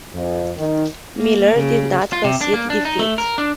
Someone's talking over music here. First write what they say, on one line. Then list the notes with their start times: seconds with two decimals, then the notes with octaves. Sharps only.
Miller did not concede defeat.
0.14 F2
0.57 D#3
1.17 A#3
1.55 C#3
2.13 F4
2.24 C3
2.41 D4
2.54 A#3
2.70 D4
2.85 D#4
2.99 A3
3.18 A#4
3.38 D4